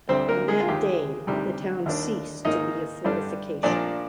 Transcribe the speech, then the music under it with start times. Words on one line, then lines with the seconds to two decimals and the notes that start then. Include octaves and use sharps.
On that day, the town ceased to be a fortification.
0.09 D2 D3 G3 C4 C5
0.28 A#3 A#4
0.48 G#3 G#4
0.60 F4
0.68 D#2 D#3 G#3 G4
1.27 D2 C3 D#3 G3
1.86 D#2 D#3 A#3 D4
2.45 G#2 D#3 A#3 D#4 D#5
3.04 G2 D3 G3 D4
3.63 A#2 F3 A#3 D4 D5